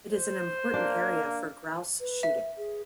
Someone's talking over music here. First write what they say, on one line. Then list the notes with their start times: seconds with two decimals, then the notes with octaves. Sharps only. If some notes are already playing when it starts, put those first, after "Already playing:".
It is an important area for grouse shooting.
0.11 C5
0.74 A#3 D4
2.00 B4
2.23 E5
2.57 G#4